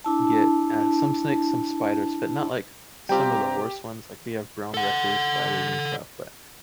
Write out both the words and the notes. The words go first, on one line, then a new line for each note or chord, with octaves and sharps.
get, uh, some snakes, some spiders, but not, like, some of the worst ones, like, we have brown recluse spiders and stuff, but
D4 E4 A5
C3 G3 C4 F4 G4 G5 A#5
A4 F#5